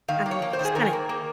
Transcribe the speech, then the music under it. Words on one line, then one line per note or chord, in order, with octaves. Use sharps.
I don't know, it just kinda
D#3 F5
A#3
C#5
A#3
C5
D#3
G#4
D#3 A#4
A#3
A#3